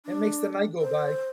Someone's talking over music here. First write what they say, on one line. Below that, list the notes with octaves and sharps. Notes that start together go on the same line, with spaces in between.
It makes the night go by.
D4
C5